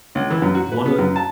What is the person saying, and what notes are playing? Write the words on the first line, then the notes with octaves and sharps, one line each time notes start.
one of
C#2
E3
F#2
F#4
B4
B3
F#2
A5